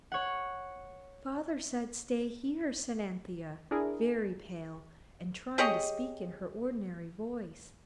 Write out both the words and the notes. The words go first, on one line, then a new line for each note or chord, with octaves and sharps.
'Father said stay here,' said Anthea, very pale, and trying to speak in her ordinary voice.
C#5 F#5
D4 E4 G#4 A#4
G4 G#4 C#5 D#5